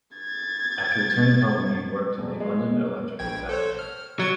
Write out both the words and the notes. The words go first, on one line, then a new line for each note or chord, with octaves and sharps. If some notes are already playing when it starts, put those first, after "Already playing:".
After returning home, he worked in a London electrical factory.
G#6 A6
E1
G#3
A#1 G5 G#6
A4 C5 C#5
F6
F#3 G#6 A6 C#7